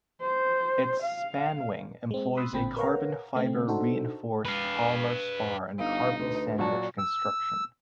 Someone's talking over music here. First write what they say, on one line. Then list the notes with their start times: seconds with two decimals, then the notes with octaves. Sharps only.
Its span wing employs a Carbon-fiber-reinforced polymer spar and carbon sandwich construction.
0.21 C5
1.03 F5
2.11 G#3 C4
2.37 B5 C6 D#6 E6 F#6
2.53 A1 A#2 D3 C4 G5 B5
2.76 A#4 B4 C#5 F5 F#5 A#5
3.35 C#3 A3 C4
3.68 D4 D#4 F#4 A4 C5
4.45 B4 F5
5.79 G1 D#4 F5
6.20 D2 B4
6.59 A#2 F#3 F#4 D5 A5
6.98 E6